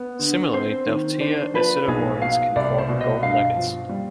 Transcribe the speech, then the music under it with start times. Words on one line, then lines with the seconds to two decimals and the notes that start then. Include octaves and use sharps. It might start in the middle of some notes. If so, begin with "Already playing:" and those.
Similarly, Delftia acidovorans can form gold nuggets.
Already playing: B3
0.19 D3
0.53 C4 C5
0.87 D#3
1.20 D4 C5
1.54 F3 B4
1.87 B1 G#4
2.22 B2 F5
2.56 C2 D5
2.78 C5
2.88 B2
3.00 D#5
3.22 G2 F5
3.56 F3
3.89 G3